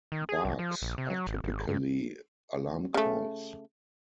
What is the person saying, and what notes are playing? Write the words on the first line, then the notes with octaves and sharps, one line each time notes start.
Barks are typically alarm calls.
D#3
G#4
C2
F3
A#1
C3
F#3
G#1
G#1
G2
C#3 A3